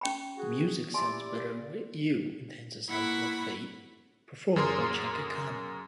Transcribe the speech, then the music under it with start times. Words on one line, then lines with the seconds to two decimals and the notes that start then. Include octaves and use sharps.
"Music Sounds Better with You" contains a sample of "Fate" performed by Chaka Khan.
0.01 C#4 G5 B5
0.37 F#4 G#4
0.94 E4 G4 D5 G#5 C6
2.89 A#3 E4 F#5 B5 C#6
4.56 F#2 G#4 A#4 C6